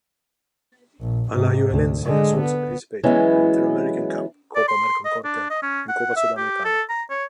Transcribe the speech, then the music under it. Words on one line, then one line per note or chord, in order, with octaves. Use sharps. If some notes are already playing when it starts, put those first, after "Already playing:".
Alajuelense has also participated in the Interamerican Cup, Copa Merconorte and Copa Sudamericana.
A#1
G#2 C3
D2
D3 G#3
B3
E3 F#3 G#3 B3 C#4 E4
D5
C6
D#5
D4
D#5
C#4
F#5
E5
G4
A4
A#5
C#5